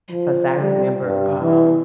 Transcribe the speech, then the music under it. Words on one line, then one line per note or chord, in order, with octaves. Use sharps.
'Cause I remember, um,
F3
G3
G2
E3